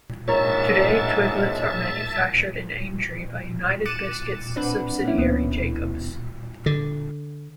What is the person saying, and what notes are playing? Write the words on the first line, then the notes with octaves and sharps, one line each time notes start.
Today, Twiglets are manufactured in Aintree by United Biscuits subsidiary Jacob's.
A#1 G#2 A#4 C#5 E5 A5
D6 F#6 A6 C#7 D#7 E7
C4 D4 B4 F#5
A#3 C#4 E4
D2 B3
D3